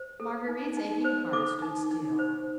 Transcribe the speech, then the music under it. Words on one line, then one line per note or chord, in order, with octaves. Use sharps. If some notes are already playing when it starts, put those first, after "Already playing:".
Marguerite's aching heart stood still.
Already playing: C5
A4
D#4
D#4
C5
A4 D6
D#4
D#4
C5